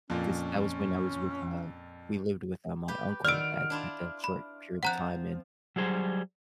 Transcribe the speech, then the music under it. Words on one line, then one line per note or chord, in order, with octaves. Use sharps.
'cause that was when I was with, uh we lived with, uh, my uncle at at that short period of time, and,
F2 A#2 C#4
G4 B4
D#3 F4 F#4 D5 E6 F6 D7
D4 E4 F4
B5
F3 C4 F#5 A#5 F#6
F#3 G3 G#4 C5